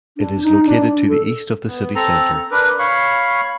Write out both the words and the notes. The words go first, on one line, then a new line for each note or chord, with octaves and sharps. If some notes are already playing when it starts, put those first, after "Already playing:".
It is located to the east of the city centre.
D4
D#4
D4
A4
B3
C4 A4 A#5
D4 A#4 B4
C#5 F5 B5 C#6